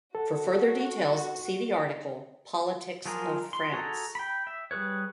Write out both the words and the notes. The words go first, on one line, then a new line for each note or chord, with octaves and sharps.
For further details see the article: Politics of France.
F#4 A4
F3 F#3 F4 G#4 A#4
C6
F#4 G#4 A4 A#5
G5 B5
E5
G3 G#4 B4 C#5